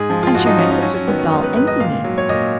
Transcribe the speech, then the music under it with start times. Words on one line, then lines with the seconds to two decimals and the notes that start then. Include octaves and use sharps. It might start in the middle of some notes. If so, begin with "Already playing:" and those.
I am sure my sisters must all envy me.
Already playing: G#2 G#4
0.10 F3
0.23 F4
0.35 G#2 F#4
0.46 D#4
0.58 F3 C#4
0.71 D#4
0.82 F#3 C#4
0.94 C#4
1.07 D#3 B3
1.19 C#4
1.31 G#2 D#4
1.43 B4
1.56 G#2 B4
1.67 D#5
1.80 A#2 F5
2.04 F#3
2.18 C#5
2.29 A#2 D#5